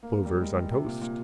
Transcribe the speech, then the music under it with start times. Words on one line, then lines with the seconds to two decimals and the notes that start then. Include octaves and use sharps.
Plovers on toast.
0.03 A#3
0.26 G3
0.41 G#3
0.56 G3
0.71 C3
0.86 A#2
1.01 A#2